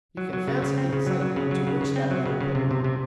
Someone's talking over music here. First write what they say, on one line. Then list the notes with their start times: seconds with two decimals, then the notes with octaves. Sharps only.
You can fancy the excitement into which that letter put me.
0.17 F#3
0.33 F#3
0.48 C#3
0.62 C#3
0.78 C4
0.93 C#3
1.06 F#3
1.21 F#3
1.36 C#3
1.51 F#3
1.67 C#3
1.81 C#3
1.96 C4
2.11 F#3
2.26 C#3
2.41 C#3
2.55 C3
2.71 C3
2.84 C3